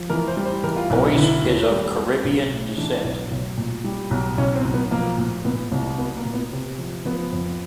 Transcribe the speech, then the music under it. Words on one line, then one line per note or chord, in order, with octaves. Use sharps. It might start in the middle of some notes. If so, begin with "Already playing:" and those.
Boyce is of Caribbean descent.
Already playing: F3
E3 A#4
C5
G3
C5
E3 A#4
F4
B1 E4
D#4
D3 E4
D#2
G3
G3
B1
A2
E3 D4
B1
B1
A#2
G3
B1
B1 C#4
C4
B1
B3
F3 A#3
A#2
A#2 B3
C2
F#3 B3
A#3
A#2
B3
C3
F3
F3 B3
F2